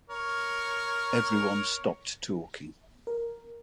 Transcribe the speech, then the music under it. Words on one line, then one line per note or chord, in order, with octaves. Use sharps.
Everyone stopped talking.
A#4 C#5
A#4